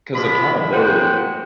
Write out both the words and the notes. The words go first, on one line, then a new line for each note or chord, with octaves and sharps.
'cause accountability
G#2 F3 G#3 B5
G#3 A#3 C4 F#4 G5